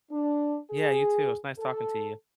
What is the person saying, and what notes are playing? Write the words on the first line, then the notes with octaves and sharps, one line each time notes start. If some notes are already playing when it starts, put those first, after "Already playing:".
Yeah, you too. It was nice talking to you.
D4
G#4
A4